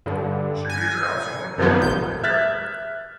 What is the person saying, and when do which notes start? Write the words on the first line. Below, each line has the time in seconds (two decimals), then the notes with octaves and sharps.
She is also a Perl programmer.
0.06 G2 D3
0.70 G#5
1.58 F#2 C3 D#3 F3 B3
1.81 A#1 G6
2.23 E5 F6 F#6 G#6 A6 B6